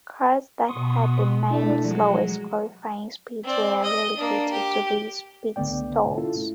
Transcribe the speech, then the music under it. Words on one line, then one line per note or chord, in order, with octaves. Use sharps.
Cars that had the nine slowest qualifying speeds were relegated to these pit stalls.
B2 B3 C6 C#6 D#6
A3 D4 E4 D5
F3 F#3 G#3
C4 D5
D#5
A#3 D4
G4
C2 D3 A3 B3 D5 G5
C#4 E4 F4 A4
A3 E4